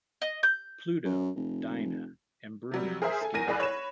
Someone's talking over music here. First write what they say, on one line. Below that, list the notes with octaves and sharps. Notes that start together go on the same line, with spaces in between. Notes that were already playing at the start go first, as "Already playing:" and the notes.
Pluto, Dina, and Bruno escape.
D#5
G6
F#2
F1
C3 F#3 G3
G#4 A#4 C5 E5 G#5 D#6
A4 G#5
E2 A#4 G#5 A#6 D#7
F1 C2 G#4 D5 B5 F#6
C#5 B5 E7